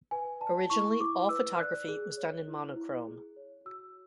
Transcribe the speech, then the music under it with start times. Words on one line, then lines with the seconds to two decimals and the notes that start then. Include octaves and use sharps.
Originally, all photography was done in monochrome.
0.11 B4 G#5
0.40 D5 A5
0.70 E4 C#6
1.00 E4 D6
1.29 B4 E6
1.59 D5 F#6
1.88 G#4
2.18 C#5
2.48 E4
2.76 E4
3.07 G#4
3.36 C#5
3.65 F#4 E6